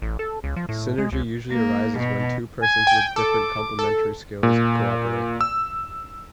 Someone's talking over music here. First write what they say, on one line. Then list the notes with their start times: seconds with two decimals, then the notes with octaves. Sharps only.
Synergy usually arises when two persons with different complementary skills cooperate.
0.02 A1
0.19 A4
0.44 C#2
0.56 F3
0.69 A2
0.98 G#3
1.12 C#2
1.51 A#3
1.99 B2
2.61 G#5
2.87 G5
3.16 A4 D6
3.79 A4
4.43 A#2
5.41 E6